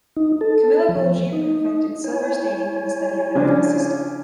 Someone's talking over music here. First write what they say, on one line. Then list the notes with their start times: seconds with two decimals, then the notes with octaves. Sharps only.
Camillo Golgi perfected silver staining for the study of the nervous system.
0.17 D#4
0.41 A4
0.89 F3
1.33 D#4
2.04 E4 C#5 G#5
3.35 C#3 F3 D4